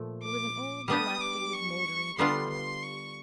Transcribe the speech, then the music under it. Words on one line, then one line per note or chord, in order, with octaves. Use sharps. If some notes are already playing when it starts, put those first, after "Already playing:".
It was an old, dilapidated, mouldering dovecot.
Already playing: A#2 F3 A3
D6
G3 B3 D4 G4 D#6
D6
C#6
D3 G3 B3 D4 F4 C6
C6
C#6